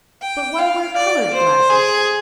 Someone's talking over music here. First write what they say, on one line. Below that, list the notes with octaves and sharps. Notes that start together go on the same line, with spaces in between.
But why wear colored glasses?
G5
F5
D5
C5
G#4